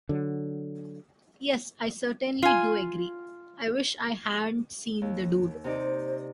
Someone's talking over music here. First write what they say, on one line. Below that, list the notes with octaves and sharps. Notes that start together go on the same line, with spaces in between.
Yes I certainly do agree—I wish I hadn't seen the dude.
D3 F#3
F4 G#5
D#2
C3 D#4 C5 D5